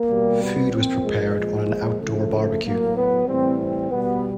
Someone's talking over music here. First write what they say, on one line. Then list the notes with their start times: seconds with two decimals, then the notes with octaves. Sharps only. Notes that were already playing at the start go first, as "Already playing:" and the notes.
Food was prepared on an outdoor barbecue.
Already playing: A#3
0.08 B2 G3
0.40 B3
0.72 A#2 F3 C4
1.04 G#3
1.36 A#2 F3
1.99 C#3 F3 A3
2.62 A2 F#3 A#3
2.94 B3
3.26 A2 E3 G3 C4
3.57 C4
3.89 B2 G3 B3